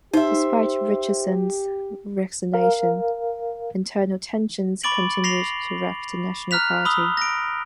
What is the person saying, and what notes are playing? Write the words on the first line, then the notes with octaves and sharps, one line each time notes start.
Despite Richardson's resignation, internal tensions continued to wrack the National Party.
D#4 G4 C5 E5
A#4 F5
B5 C#6 D6 A6 D7 F#7
A#6 C7 F7 G7
A#5 F6 F#6 B6 F7
B5 D#6 E6 G7
A#6 D7